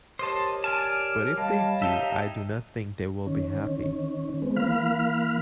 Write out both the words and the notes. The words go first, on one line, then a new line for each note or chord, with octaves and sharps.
But if they do, I do not think they will be happy.
G4 A#4 C5 C#5 D#5 A5
D5 G#5 A5 F6
G3 C#5 D#5 F5 A5
D#4 G4 E5
D#3 C#4
G#3 B3 C4
E3 A#3 F5 B5 F6